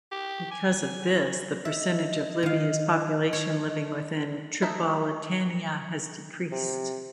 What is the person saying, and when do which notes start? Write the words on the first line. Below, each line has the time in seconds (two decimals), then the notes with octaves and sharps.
Because of this, the percentage of Libya's population living within Tripolitania has decreased.
0.12 G4
0.51 G#5
1.65 D#5 E5
2.43 D#3 F5
3.33 C#5
4.62 A3 D#4 D#5 E5
6.52 C3